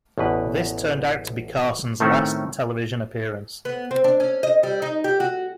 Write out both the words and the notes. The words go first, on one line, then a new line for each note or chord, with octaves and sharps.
This turned out to be Carson's last television appearance.
A1 E2 B2 B4
A2 D#3 A3 C4 C#4 A4
B3
C4
D4
C#4
D#5
G3
D#4
G4
F#4